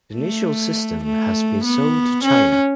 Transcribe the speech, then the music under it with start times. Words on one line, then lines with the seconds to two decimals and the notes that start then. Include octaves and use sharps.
The initial system has been sold to China.
0.15 A3
1.04 A3
1.65 B3
2.24 C#4